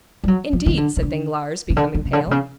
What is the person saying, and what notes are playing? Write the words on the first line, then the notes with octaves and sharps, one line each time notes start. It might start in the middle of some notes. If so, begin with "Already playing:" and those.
"Indeed?" said Danglars, becoming pale.
G3
F#3
F3
D#3
D3
C#3
D3
C#3
D3
D#3
C#3
D3
C3
C#3